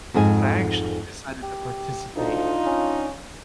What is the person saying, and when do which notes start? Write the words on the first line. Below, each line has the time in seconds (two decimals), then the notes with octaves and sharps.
but I actually decided to participate
0.14 F2 G#2 G#4 G#5
1.43 G4
2.16 D2 D4 D#4 F4
2.66 C#4